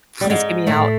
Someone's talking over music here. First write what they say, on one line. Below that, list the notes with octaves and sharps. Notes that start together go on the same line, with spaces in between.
please get me out."
G3
G#2 G#3
A2 A3